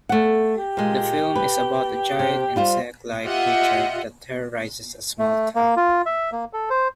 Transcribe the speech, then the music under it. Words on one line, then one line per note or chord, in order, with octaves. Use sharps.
The film is about a giant insect-like creature that terrorizes a small town.
A3 F#5
G4
A#2 G#3
B4
C3
G3 F4 C5
F4 G4 D#5 E5 F#5
A3
A#3
F4
E5
A#3
A4
C5